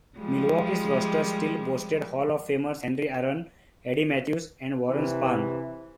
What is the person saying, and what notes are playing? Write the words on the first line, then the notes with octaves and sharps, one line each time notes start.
Milwaukee's roster still boasted Hall of Famers Henry Aaron, Eddie Mathews and Warren Spahn.
F3 G3 G#3
C3 E3